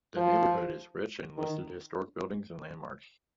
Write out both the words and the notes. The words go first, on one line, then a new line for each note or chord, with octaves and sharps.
The neighbourhood is rich in listed historic buildings and landmarks.
F3
D#3